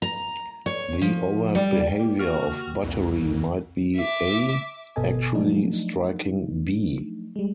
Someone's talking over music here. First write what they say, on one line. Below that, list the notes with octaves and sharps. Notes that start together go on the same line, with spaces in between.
The overt behavior of battery might be A actually striking B.
A#5
C#5
F3
G3
A#3 G4
F#4 F6
C2 F2
E5 D6
G1 B2 B3 A4 D#5 G#5
F3 F#3 A3 D4 D#4
G3 G#3